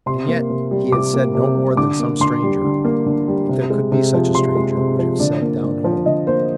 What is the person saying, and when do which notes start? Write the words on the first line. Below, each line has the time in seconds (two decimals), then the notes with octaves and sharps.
And yet, he had said no more than some stranger, if there could be such a stranger, would have said down home.
0.06 C3 C6
0.28 A#3
0.50 C3
0.71 G3
0.92 C3 D6
1.14 A#3
1.35 C3
1.56 G3
1.77 D3 D6
1.99 A#3
2.20 D3 C6
2.43 G3
2.64 D3
2.85 A#3
3.06 D3
3.28 G3
3.49 C3
3.70 G#3
3.92 C3
4.13 F3
4.35 C3 C6
4.56 G#3
4.77 C3
4.99 F3
5.20 D3 D5
5.42 A#3
5.64 D3
5.84 F3
6.06 D3 D#5
6.27 A#3 C5